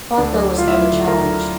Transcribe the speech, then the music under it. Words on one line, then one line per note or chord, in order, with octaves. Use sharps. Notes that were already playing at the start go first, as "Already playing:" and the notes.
Parker was never challenged.
D2 D4 D5
F#3 D4 D5
F#3
F4 F5
D2 E4 E5
F#3
D3
D2 A#4 A#5
D3